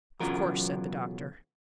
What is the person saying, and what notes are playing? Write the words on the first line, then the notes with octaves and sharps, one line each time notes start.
"Of course," said the doctor.
B1 C#3 E3 F#3 F4 A#4